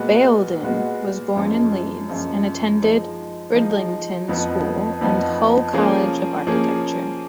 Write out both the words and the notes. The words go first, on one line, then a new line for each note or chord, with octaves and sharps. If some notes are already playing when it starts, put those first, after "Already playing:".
Bayldon was born in Leeds and attended Bridlington School and Hull College of Architecture.
Already playing: A#2 G#3 B3 F#4
A#2 G#3 B3 F#4
F#2 F3 G#3
F#2 F3 G#3
F3 G#3 D#4
F3 G#3 D#4
F2 F3 B3 D#4
F2 F3 B3 D#4
F3 A#3 C#4 G#4
F3 A#3 C#4 G#4